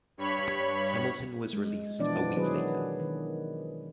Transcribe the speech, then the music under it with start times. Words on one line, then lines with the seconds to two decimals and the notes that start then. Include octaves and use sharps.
Hamilton was released a week later.
0.17 G2 C#5 B5 B6
1.53 G#3
1.99 B2 E3 F3 B3 D4 D5
2.35 D#3 F#3 B3 G#4 B4
3.00 D#3